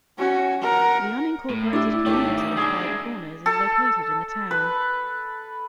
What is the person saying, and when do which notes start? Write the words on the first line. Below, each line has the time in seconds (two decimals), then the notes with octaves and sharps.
The unincorporated community of Five Corners is located in the town.
0.18 C#4 F#4
0.62 A#4 F#5
1.49 A2 C#5
1.73 D4 E4 G4 D5 E5
2.06 G#1 D#3 A3 G4 A4 C#5 C#6
2.37 G5 D6 D#6
2.57 G#3 D4 G#4 D5 B5
3.46 A4
4.51 B4